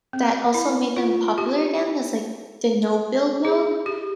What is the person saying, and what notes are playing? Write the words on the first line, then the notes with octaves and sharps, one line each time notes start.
that also made them popular again is, like, the no build mode,
C4
E4
F4
G4
G#4
G4